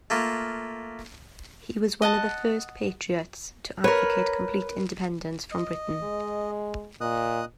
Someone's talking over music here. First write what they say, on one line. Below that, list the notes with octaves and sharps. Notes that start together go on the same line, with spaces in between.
He was one of the first Patriots to advocate complete independence from Britain.
A3 A#3 F4
D#5 F#5 A5
A#4 B4 C#5
D#5
G#3
A#2 D#5 D#6 F#6